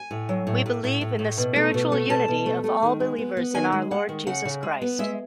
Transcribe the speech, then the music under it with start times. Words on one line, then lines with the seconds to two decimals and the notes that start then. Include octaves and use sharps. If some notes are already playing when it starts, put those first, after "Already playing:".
We believe in the spiritual unity of all believers in our Lord Jesus Christ.
Already playing: G#5
0.11 A2
0.29 F#3
0.47 A2
0.66 A2
0.84 A2
1.01 A2
1.19 A2
1.38 B2
1.56 A3
1.74 B2
1.92 A3
2.09 B2 A5
2.28 B2
2.46 A3
2.64 A3
2.82 D#3
3.00 G#3
3.18 B3
3.37 B3
3.54 D#3 G#5
3.72 G#3
3.91 G#3 F#5
4.09 D#3
4.27 C#3 F#5
4.45 C#3
4.63 G#3
4.82 B3
4.99 G#3 E5